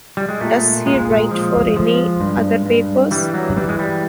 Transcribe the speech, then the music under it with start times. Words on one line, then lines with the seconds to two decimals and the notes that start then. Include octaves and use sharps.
Does he write for any other papers?
0.17 G3
0.29 G#3
0.41 A#2 A3
0.86 A#2 G#3
1.31 F3
1.77 F3
2.21 G2
2.66 G2
3.11 E3 G3
3.34 F#3
3.56 E3 G3
3.69 G#3
3.79 G3